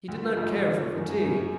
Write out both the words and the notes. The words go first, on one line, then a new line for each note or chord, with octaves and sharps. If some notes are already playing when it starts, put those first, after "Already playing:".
He did not care for fatigue.
D2
F4
G#2
G#2
F4
A3
F#2
F#2
F#2